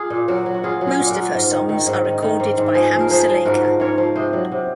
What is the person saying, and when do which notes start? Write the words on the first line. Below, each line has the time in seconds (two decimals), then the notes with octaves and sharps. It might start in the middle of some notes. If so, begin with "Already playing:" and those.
Most of her songs are recorded by Hamsalekha.
Already playing: F4 G#4
0.10 A#2
0.28 F#3 F#4 A#4
0.46 F#3
0.54 F#4
0.63 F#3 F4 G#4
0.81 F#3
0.87 F4 G#4
0.99 A#2
1.10 F#4 A#4
1.16 A#2
1.34 G#2
1.51 D#3
1.69 D#3
1.87 G#2
2.05 D#3
2.23 D#3
2.40 G#2
2.58 G#2
2.74 F3 G#4 C5
2.93 F3
3.00 A#4
3.10 F3 G#4 C5
3.28 F3
3.45 G#2 F#4 A#4
3.63 F3
3.80 G#2 A#4 C#5
3.98 F3
4.15 C3 C5 D#5
4.33 F#3
4.52 C3